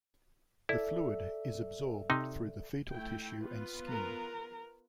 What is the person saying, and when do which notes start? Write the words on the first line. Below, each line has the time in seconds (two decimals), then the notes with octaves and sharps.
The fluid is absorbed through the fetal tissue and skin.
0.69 E4 A4 D5 E5
2.10 C3 D#4
2.91 A3 E4 G5
3.41 B3 F4 B4
3.88 A#4 A#5